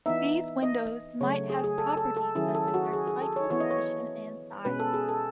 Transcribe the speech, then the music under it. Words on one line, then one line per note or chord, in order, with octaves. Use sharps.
These windows might have "properties" such as their title, position and size.
E3 B3 D#4 E5
D#5
C#3 F#3 A3 C#5
G#4
G#4
A4
A4
A4
D#3 F#3 C#4 E4 G#4
A4
G#4
F#4
G#4
G#4
A4
C#5
E3 B3 E4 C#5
D#5
C#5
B2 G#3 C#4 B4
A4
G#4
A4